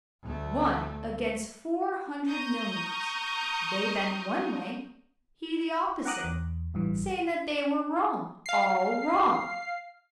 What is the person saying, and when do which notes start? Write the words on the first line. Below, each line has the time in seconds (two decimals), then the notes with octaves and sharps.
One against four hundred millions, they bent one way, he the opposite, saying that they were wrong, all wrong!
0.22 D2 A3
2.27 A#5 C#6 D#6 F6 G6
6.05 F#5 G5 A#5 D6 D#6 F#6
6.24 E2
6.74 A1 G2 E3
8.46 F5 C7